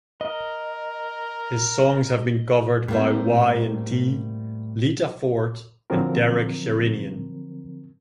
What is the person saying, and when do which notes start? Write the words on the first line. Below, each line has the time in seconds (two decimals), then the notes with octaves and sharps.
His songs have been covered by Y and T, Lita Ford and Derek Sherinian.
0.21 A#4 D#5
2.88 A2 G3 A#3 C4
5.90 D3 F3 F#3 C4 A#4